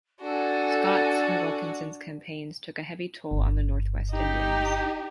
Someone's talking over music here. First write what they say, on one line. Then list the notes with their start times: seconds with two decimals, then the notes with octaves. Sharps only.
Scott's and Wilkinson's campaigns took a heavy toll on the Northwest Indians.
0.21 D4 F#4 A4 G#5
3.31 G1
4.11 D#4 G4